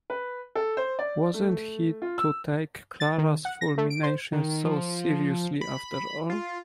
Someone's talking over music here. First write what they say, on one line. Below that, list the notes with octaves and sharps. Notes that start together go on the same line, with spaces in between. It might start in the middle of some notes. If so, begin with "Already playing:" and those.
Wasn’t he to take Clara’s fulminations so seriously, after all?
B4
A4
C5
D5
A3
F4
E6
A6
D#3
F#5
A#6
A3
D7
C5
D#3
F3
B5
F4